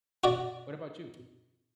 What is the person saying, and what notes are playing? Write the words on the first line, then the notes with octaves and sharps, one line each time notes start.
What about you?
F#4 D5